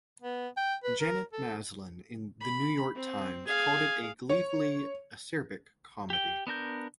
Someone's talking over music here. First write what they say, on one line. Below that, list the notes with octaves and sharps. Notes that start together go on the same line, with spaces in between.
Janet Maslin in "The New York Times" called it a "gleefully acerbic comedy".
B3
G5
B4
A#4
A4
B5
C4
G#4 F5 G#5
C#5
G4 G5
B3 D4 A#4 G6